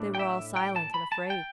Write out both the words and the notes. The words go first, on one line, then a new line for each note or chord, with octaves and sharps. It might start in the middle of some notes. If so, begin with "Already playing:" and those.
They were all silent and afraid.
Already playing: A2 A3 D4
G5
E5
G5
A5
B5
A5
G5